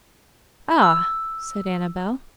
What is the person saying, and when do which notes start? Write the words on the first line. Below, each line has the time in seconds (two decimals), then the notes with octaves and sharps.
"Ah!..." said Annabel.
0.82 E6